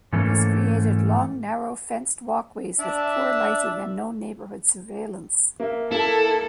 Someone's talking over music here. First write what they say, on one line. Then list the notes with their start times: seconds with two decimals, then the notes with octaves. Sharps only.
This created long, narrow, fenced walkways, with poor lighting and no neighbourhood surveillance.
0.13 G#2 E3 A3 A#3 C#4
2.79 D4 E5
5.60 A#3 E5
5.92 A#3 E4 A4